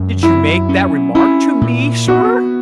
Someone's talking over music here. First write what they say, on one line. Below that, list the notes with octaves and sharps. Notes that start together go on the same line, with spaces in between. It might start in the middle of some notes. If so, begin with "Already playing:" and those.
Did you make that remark to me, sir?'
Already playing: F#2 G#3
F#3 E4
C#4
C#4 E4
A#2
B3 F#4